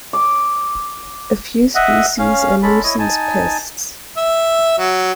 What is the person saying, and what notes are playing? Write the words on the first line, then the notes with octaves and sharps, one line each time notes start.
A few species are nuisance pests.
D6
D#5 E5 F#5
C#4 F5
G#3 C#4 A4 B5
E4 C#5 D#5
D#4 G#5 A5
E5
F#3